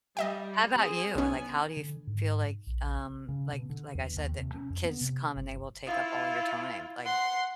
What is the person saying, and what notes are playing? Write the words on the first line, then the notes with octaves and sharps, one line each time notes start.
How about you? Like, how do you feel like, um, like like I said, that kids come and they will take up all your time, like,
G3 D#5 E5 G5
C4 G#4
B1 B3 C#4 G#5
D3
G#2
A#1
C#3
B2
D3
E2
D#2
C3
C#4
F2
B3
C3
G1
E4 F4
F#5 C6